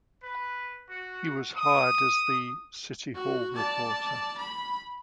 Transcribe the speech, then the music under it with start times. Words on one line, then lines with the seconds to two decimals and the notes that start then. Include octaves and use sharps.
He was hired as the "City Hall" reporter.
0.22 B4
0.90 F#4
1.56 D#6
3.15 F#4
3.55 D5 A5
4.38 B5